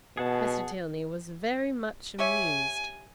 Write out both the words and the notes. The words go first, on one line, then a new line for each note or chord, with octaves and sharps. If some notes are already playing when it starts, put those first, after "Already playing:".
Mr. Tilney was very much amused.
B2 G#4 F#5 A5
G4 C#5 E5 G#5